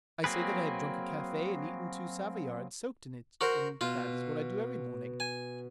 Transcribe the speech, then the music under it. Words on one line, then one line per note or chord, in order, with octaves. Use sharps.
"I say that I have drunk a cafe and eaten two Savoyards soaked in it, and that is what I do every morning."
F#3 A#3 C4 G#4 B4
F#4 A#4 C5
B2 F4
G#5